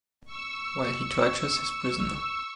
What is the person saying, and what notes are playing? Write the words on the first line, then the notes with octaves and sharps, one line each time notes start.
While he tortures his prisoner.
C#6 E6